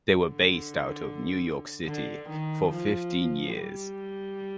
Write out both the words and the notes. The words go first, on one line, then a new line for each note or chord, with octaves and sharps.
They were based out of New York City for fifteen years.
D3
D3
D#3
F3
G3